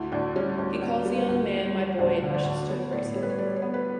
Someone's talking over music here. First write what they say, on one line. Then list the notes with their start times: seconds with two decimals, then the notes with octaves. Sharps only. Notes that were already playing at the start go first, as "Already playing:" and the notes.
He calls the young man "my boy" and rushes to embrace him.
Already playing: D2 E4
0.12 D2 D4
0.36 G3 C#4
0.58 D2 C#4
0.82 D2
1.05 G3
1.29 D2
1.52 G3
1.75 G3
1.99 D2 D4
2.22 D3
2.34 D4
2.45 D2
2.69 B3 C#5
2.92 A2 D5
3.15 G3 C#5
3.23 B4
3.30 C#5
3.38 G3 D5
3.56 C#5
3.62 B3
3.74 B4